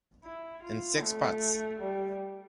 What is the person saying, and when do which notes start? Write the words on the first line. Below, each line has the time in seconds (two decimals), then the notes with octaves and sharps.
In Six Parts.
0.24 E4
0.63 F4
1.02 A3
1.80 G3